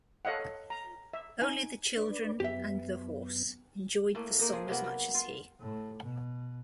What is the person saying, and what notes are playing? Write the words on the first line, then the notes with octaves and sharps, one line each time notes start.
Only the children and the horse enjoyed the song as much as he.
A4 C#5 D#5 F5 F#5
A#5
E5
D#4 G#5
D4 B4 D5
F#2 B3 G4 E5
A2 A3 A#3
A#3 D#4
F3 G#4
C3 A#3 B3
F#3
F4
A2
B2